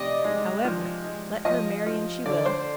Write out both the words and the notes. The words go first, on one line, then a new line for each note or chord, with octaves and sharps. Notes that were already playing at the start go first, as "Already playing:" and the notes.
However, let her marry an she will.
Already playing: C3 D5 D#5
G#3
F3
G#3
F3 D#5
F3
D3 D5
C5